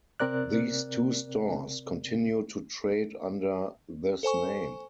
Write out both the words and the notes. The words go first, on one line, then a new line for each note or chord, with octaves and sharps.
These two stores continue to trade under this name.
C3 C4 A#4 D5 F#6
A4 C5 G#5 C#6